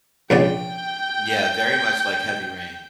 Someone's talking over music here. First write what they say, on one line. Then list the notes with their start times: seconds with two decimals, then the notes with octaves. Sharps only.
Yeah, very much like Heavy Rain.
0.30 A#1 C#3 D5 G5